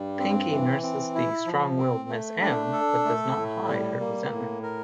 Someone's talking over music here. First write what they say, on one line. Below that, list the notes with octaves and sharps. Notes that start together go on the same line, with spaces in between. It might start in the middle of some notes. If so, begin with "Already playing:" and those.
Pinky nurses the strong-willed Miss Em, but does not hide her resentment.
Already playing: G2 G3
C4
E3
C4
E4
F3
C4
A3
D4
A4
A3
A2
G3
A#3
A2
A#4